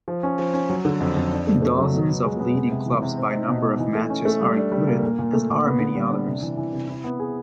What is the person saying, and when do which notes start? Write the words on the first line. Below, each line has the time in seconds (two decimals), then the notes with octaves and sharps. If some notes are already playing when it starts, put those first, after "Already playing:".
Dozens of leading clubs by number of matches are included, as are many others.
0.08 F3
0.23 C#4
0.39 F3
0.54 C#4
0.70 F#3
0.85 D3
1.00 F2
1.16 F2
1.31 D4
1.47 A3
1.62 A3
1.78 F#3
1.93 B2
2.09 B3
2.24 G#3
2.40 B3
2.55 G#3
2.71 C3
2.86 E3
3.02 C3
3.17 C4
3.33 D#4
3.48 B2
3.63 D#4
3.79 E3
3.95 A3
4.10 C#4
4.25 A3
4.41 G3
4.56 D4
4.72 G3
4.87 A#3
5.03 A#2
5.19 A#2
5.33 A3
5.50 A#2
5.65 B3
5.80 D3
5.95 G3
6.11 D4
6.26 C3
6.42 E3
6.57 E3
6.73 C3
6.88 E4
7.04 B3
7.19 G#4